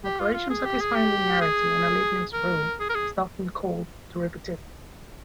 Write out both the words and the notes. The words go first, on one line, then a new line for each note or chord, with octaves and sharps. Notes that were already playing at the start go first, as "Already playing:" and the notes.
An operation satisfying linearity and a Leibniz rule is often called a derivative.
G4
F4
F4
G#4
G4
G#4
G4
G#4
A#4
G#4
A#4
G#4